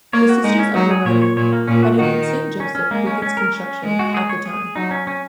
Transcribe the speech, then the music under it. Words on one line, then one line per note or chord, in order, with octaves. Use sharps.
The Sisters of Loretto credited Saint Joseph with its construction, at the time.
A#3 C#5
F#4
G#3 D#4
C#4
F#3 D#4
G#4
A#2 C#5
C#5
A#2 C#5
A#3
A#2 C#4
F#4
D#3 F#4
D#4
C#4
C#4
G#3 A#3
C#4
C#4
A#4
C#4
G#3
F#4
G#4
C#5
G#4
F#3 D#4
C#4
C#4